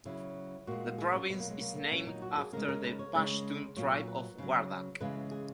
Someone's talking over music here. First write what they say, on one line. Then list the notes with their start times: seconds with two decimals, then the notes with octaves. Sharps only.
The province is named after the Pashtun tribe of Wardak.
0.05 C#3 F#3 E4
0.67 A#2 G#3 F#4
0.98 G#4
1.14 C#4
1.30 B2 F#3 B3
1.39 A#3
1.50 G#3
1.60 A#3
1.76 A#3
1.91 A#2 F#3 C#4
2.07 D#4
2.22 F#4
2.38 G#4
2.53 C#3 G#3 A#4
2.68 A#4
2.84 B4
2.99 C#5
3.15 C#3 G#3 C#5
3.76 A#2 F#3 C#5
3.92 C#5
4.07 B4
4.38 C#3 F#3
5.00 C#3 E3 G#3 B4
5.31 G#4